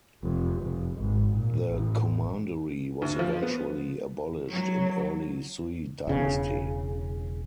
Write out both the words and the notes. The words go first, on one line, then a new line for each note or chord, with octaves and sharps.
The commandery was eventually abolished in early Sui dynasty.
F1
F1
G#1
A#2
A1
D2
F3
B3
F#3
E1 C#3